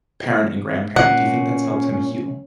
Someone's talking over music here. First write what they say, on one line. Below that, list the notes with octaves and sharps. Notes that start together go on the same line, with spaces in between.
parent and grandparent, do you think that's helped him heal?
A#2 C#4 F#5